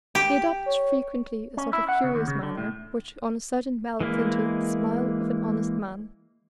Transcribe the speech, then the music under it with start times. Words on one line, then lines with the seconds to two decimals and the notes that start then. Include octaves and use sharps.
He adopts frequently a sort of furious manner which on a sudden melts into the smile of an honest man.
0.15 G4
0.67 C#5
1.57 C#4
1.73 E4
1.89 F#5
2.04 C#3
2.15 D#2
2.28 C#3
2.43 D3
2.58 A2
4.00 E3 G#3 A#3 E4